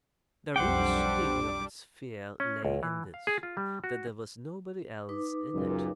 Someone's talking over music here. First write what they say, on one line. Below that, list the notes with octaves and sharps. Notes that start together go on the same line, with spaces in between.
The real sting of its fear lay in this--that there was nobody else in it.
B1 F2 G3 D4 C5 F#5 G5 D6
C#4
C#2
E3
F5
G#4
F4
G3
F#4
D#4 B4 D6
C#2 F#2 A#2